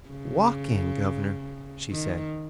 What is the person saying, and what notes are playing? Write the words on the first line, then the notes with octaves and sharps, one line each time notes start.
"Walk in, governor," she said.
C#3
D#3